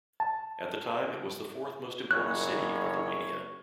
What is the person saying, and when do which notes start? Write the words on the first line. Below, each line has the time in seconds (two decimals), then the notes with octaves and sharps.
At the time it was the fourth most important city in Lithuania.
0.20 A5
2.11 F#1 C#5 F#6